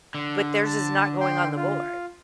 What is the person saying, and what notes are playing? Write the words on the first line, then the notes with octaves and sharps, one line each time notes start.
but theirs is not going on the board.
D3
A5
G5 C6
F4